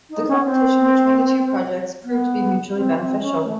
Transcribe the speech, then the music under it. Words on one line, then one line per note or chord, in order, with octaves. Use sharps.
The competition between the two projects proved to be mutually beneficial.
D#4
C#4
C4
B3
C4
C4
C#4
A3